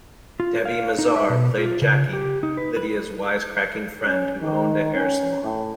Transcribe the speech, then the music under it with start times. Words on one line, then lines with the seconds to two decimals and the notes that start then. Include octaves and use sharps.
Debi Mazar played Jackie, Lydia's wise-cracking friend who owned a hair salon.
0.40 F4
0.65 F5
0.99 D#4
1.16 E5
1.29 B2
1.58 F4
1.82 C#3
2.13 G4
2.43 D#4
2.57 B4
2.77 B4
4.06 C#4
4.41 D#3
4.94 C#4
5.44 A2